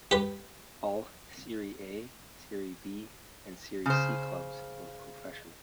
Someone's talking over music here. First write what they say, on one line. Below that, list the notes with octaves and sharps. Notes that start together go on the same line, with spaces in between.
All Serie A, Serie B and Serie C clubs are professional.
G4 B4
C#3 C5